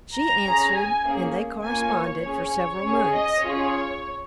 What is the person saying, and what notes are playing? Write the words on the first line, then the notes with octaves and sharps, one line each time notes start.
She answered and they corresponded for several months.
A#5
C#4 G#4
G#5
A#3 C#4 G#4
A#3 C#4 F4 G#5
C#5
C#4 G#4
C#5
C#4 G#4
D#5
C#4 F4 G#4 C#5